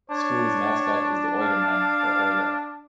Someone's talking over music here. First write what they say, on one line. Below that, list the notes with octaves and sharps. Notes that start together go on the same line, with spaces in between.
The school's mascot is the "Oiler Man" or "Oiler".
D4 C#5
F5